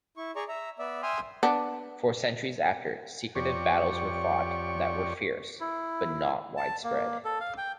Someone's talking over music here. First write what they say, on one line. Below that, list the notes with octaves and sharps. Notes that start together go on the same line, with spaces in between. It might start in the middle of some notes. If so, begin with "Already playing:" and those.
For centuries after, secretive battles were fought that were fierce, but not widespread.
E4 C#6
G#4 D5 A#5 C#6
E5 A#5
B3 D5 E5
E5 G5 G#5 C6 D#6 F6
B3 D4
F2 G4 C#5 D5 C#6
E4
A5
A#3
A4
F5
G5